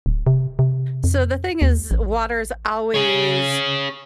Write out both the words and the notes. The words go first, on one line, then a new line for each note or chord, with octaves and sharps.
so the thing is, water's always
D1
C3
C3
F2
D#2
A1
G#4 C#5